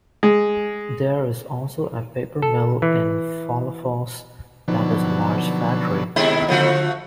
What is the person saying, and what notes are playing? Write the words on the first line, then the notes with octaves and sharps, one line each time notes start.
There is also a paper mill in Follafoss that is a large factory.
G#3
A4
E3
B2 D3 F3 F#3 D#4
B2 D#3 G#3 B3 E4
D3 F3 A3 F4 F#4